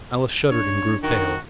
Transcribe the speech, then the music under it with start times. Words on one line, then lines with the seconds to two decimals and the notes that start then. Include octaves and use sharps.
Alice shuddered and grew pale.
0.52 D4 C#5
1.03 D#3 F#4